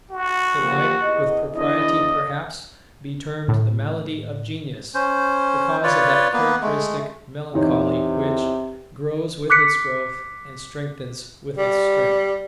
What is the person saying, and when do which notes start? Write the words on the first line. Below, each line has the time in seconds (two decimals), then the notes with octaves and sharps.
It might with propriety, perhaps, be termed the malady of genius; the cause of that characteristic melancholy which "grows with its growth, and strengthens with its strength."
0.11 F#4
0.59 F3 A#3 G4
1.02 E2 D#5
1.54 E2 D4 E4 D#5
3.48 A2
4.95 C#4 C5
5.83 F4 B4 C#5 D5
6.33 A#3 B3 B4
6.62 G#3 A3
7.54 E2 C3 D#4 C#5
9.50 D6 F#6 B6 C#7
11.57 G3